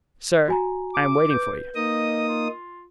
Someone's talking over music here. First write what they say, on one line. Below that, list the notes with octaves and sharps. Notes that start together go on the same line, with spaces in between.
"Sir, I am waiting for you."
F#4 G#5 A#5
D6
B4 G6
A#3 D#4 D#5 D#6
F4